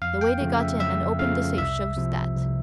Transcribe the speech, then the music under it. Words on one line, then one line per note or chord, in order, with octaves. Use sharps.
The way they got in and opened the safe shows that.
F2 F5
G5
C#3 F3 A3
E5
F2 E5
C#3 F3 A3 F5
C2 E5
C3 F3
C2